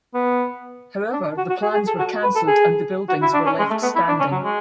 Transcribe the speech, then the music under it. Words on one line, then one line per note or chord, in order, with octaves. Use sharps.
However, the plans were cancelled, and the buildings were left standing.
B3
D4
F#4
F#4
G#4
G#4
A4
F#4
B4
A4
G#4
F#4
E4
D4
C#4
G#3
A3
B3
E4
D4
C#4
F#3
G#3